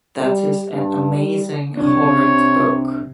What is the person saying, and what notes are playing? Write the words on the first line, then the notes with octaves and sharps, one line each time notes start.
That is an amazing horrid book.
G3
G2
G3
C2 C3 D4 C#5